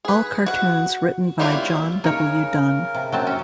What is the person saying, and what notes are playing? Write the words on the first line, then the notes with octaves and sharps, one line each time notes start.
All cartoons written by John W. Dunn.
G#4 B4
F#4 F#5
F#3 G3 A#3 E4 F4
C#3 D#4 A#4 C#5
C3
F#2 F#3 C4 A5
C#4